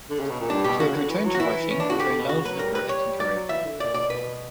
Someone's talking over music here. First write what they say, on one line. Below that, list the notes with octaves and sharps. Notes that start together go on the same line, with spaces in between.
She would return to writing during lulls in her acting career.
D3
C#3
B2
A#2
G2 D4
B2 G4
C#3 F#4
D3
E3
F#3
F#4
E3 E4
C#4
D4
C#3 F#4
D3 G4
D3
B2
C#3 F#4
F#3 B4
G3 A#4
B4
C#5
F#3 D5
F#3
E3 E5
D3
A#2 D5
B2 D5
B4